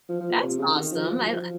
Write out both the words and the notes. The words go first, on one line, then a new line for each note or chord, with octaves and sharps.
That's awesome. I li
F3
F3
A#2
C3
C#3
D#3
F3
F3
F#3
F3
F3